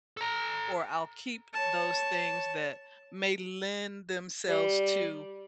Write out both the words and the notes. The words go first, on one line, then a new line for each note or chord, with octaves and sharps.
or I'll keep those things that may lend themselves to
A4 A#5
C#5 A5
G3